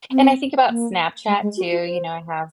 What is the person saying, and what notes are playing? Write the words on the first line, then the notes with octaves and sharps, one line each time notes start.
and I think about Snapchat, too, you know, I have,
C4
A#3
G#3
G#3
F#4
F4
C5